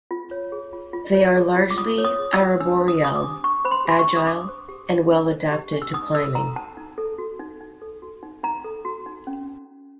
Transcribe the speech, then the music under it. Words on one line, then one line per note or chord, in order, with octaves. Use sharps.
They are largely arboreal, agile, and well adapted to climbing.
F4
C#5
G#4
F4
F4
C#5
G#4
F4
D6
F4 D#6
C#5
D#6
G#4
E6
F4
D4 E6
C5
D#6
G4 D#6
D6
D4
D4 C#6
C5 B5
C6
G4 C6
C#6
D4
D#6
D4 D6
C5
G4
D4
D4
C5
G4
D4
E6
D#4 D#6
A4 E6
F#4 A#5
D#4 A5
D#4
A4
F#4
D#4
D#4
A4
F#4
D#4
D#4 A#5
A4
F#4
D#4
C#4